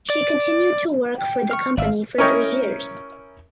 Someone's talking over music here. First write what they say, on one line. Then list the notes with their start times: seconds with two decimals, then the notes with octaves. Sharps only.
She continued to work for the company for three years.
0.10 D5
1.17 G5
1.51 C#6 F6
1.77 G#1 D5 E5 F5 E6
2.18 C#4 E4 A#4 C#5 D#5 G5